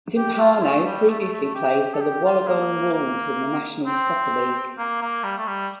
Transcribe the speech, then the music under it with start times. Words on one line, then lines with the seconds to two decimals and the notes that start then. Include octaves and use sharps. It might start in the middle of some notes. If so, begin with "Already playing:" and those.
Timpano previously played for the Wollongong Wolves in the National Soccer League.
0.17 G4
0.33 G4
0.40 F4
0.63 A3
0.86 G3
1.09 A3
1.20 A3
1.32 A3
1.44 A3
1.55 G4
1.79 G4
1.94 A4
2.01 G4
2.25 F4
2.48 A#3
2.93 A#3
3.86 C4
4.78 A#3
5.02 A#3
5.24 G3
5.38 A3
5.47 G3